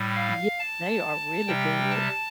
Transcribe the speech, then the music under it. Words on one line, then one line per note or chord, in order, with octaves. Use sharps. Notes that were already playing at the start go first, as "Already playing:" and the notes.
Yeah, they are really good.
Already playing: A2 G3
F5
A5
C3 G3 G5
A5